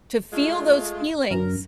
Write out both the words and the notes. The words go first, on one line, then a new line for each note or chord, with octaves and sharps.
to feel those feelings.
G#3 A3 F4
F#2 A#4